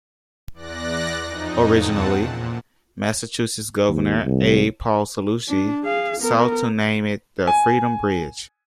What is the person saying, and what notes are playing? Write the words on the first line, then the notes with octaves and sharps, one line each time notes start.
Originally, Massachusetts Governor A. Paul Cellucci sought to name it the "Freedom Bridge".
E2 D5 F#6 A#6
F2 D#4
E2 C#3 C4 F#5 A5
A#2
D#2
C2
D4
G#4 F5
B3 A#4
G#5